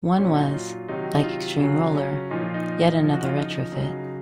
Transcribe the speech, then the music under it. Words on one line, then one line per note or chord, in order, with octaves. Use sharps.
One was, like "Extremeroller", yet another retrofit.
A#2 F#3 C#4
D#4
F4
C3 D#3 F#3 D#4
D#4
F4
C#3 F#3
C#4
A#2 F3 D#4
F4
D#4
C#3 F3
F#4
F4
D#4
C#3 F#3